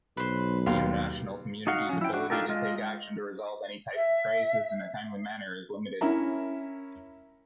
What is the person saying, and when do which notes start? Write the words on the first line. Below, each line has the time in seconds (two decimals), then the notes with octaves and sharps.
The international community's ability to take action to resolve any type of crisis in a timely manner is limited.
0.17 B1 B4 C5
0.66 D#2 F5 C6
1.67 D#4 F#4 F5 F#5
1.89 F3 C#4
2.01 E4 G5
2.13 D4 F#4
2.30 D4 D#4 F4 G4 A4 A#4
2.49 G#3 F4 D#5
3.95 E5
6.01 C#4 E4 A#4 E5 A#5